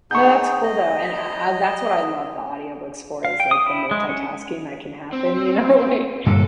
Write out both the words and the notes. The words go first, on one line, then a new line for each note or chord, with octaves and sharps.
No, that's cool, though, and I I I uh, that's what I love the audiobooks for is, like, the multitasking that can happen, you know? Like,
B3 D#4 G#4 C#6 G6
D#5
F5
G5
D#6
E4
G#3
C#4
C4
G2 A#2 D3 A4